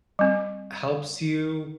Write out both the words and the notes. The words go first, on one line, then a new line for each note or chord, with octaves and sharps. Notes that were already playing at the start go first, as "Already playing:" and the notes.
helps you
G3 C4